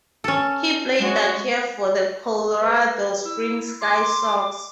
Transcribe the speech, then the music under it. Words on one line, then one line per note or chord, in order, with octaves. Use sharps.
He played that year for the Colorado Springs Sky Sox.
C#4 A4
G#3 F#4 C#5
B4
E4 E6
C6 D6